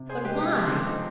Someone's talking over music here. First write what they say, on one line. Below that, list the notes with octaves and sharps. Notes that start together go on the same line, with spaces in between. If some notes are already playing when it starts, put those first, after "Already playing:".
But why?
Already playing: C3
G#4 C5
G#3 G4 B4
D#4 G4
F3 D4 F4
C4
D4
C4 D#4